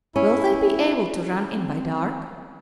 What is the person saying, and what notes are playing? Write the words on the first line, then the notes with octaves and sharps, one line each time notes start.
"Will they be able to run in by dark?"
C#4 E4
C4